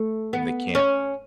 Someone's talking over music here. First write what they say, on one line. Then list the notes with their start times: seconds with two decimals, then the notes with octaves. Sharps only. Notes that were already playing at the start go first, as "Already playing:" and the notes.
They can't
Already playing: A3
0.33 B3
0.75 C#4